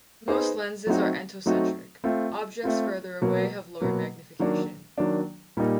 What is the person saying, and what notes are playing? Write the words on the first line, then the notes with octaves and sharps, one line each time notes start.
Most lenses are entocentric-objects further away have lower magnification.
B3 D#4 G#4 C5
F#3 A3 C4 D#4 F#4
F#3 A3 C4 D#4 F#4
A3 C4 F4
A3 C4 F4
B2 F#3 A#3
B2 F#3 A#3
D#3 F#3 A#3 D4
D#3 F#3 A#3 D4
A#2 G3 A#3 D#4